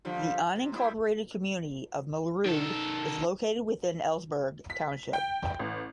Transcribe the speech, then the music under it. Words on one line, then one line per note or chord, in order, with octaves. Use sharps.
The unincorporated community of Melrude is located within Ellsburg Township.
D3 F3 G3
C3
G3 B3 E4
D#3 A4
B6
G5
A1